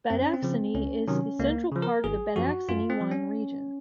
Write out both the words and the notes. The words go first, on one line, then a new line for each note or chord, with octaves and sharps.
Badacsony is the central part of the Badacsony wine region.
F#2 C4
C#4
C4
C#3 F3
C#2 C#4
C3 D#3 F#3 C#4
C#2 A#3
C#3 F3
A#4
G#1 G#4
F#2 F3 F#4
F#2 F4
C4
F3
C#4